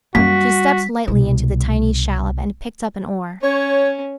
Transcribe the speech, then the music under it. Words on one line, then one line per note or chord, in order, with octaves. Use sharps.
She stepped lightly into the tiny shallop and picked up an oar.
F#2 G3 A#3 F#4 B6
C2 B2
C#4 C#5